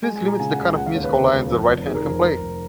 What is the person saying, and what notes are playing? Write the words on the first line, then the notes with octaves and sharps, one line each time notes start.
This limits the kind of musical lines the right hand can play.
G#3 G#5
G#5
A#2
A#5
C#3 G#5
F#5
C#2 G#5
C#3 F#5
F5
D#2 C#5
B4
C#3
C#2
F2
F1
D#3 G#4
A#4
G#4
F2
F2 A#4
F1